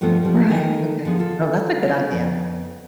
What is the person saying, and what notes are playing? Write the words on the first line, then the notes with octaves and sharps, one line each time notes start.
Right, okay. Well, that's a good idea.
G2 B2 F3 A3 B3 C4
F3 G3
D#3 D#4 A4 D#5 G#5
D3 F3 B3 G#4
F4 A4
F2 B3